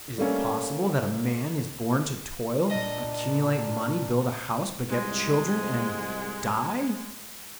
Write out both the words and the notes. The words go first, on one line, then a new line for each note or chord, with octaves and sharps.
Is it possible that a man is born to toil, accumulate money, build a house, beget children, and--die?
G3 A3 A#3 C#4
A#2 D4 D#5
C2 F2 G#2 G#3